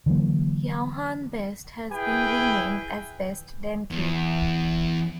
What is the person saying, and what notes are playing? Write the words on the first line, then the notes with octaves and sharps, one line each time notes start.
Yaohan Best has been renamed as Best Denki.
D3 E3 F#3 A#3
E4 G#4 B4 G5
E2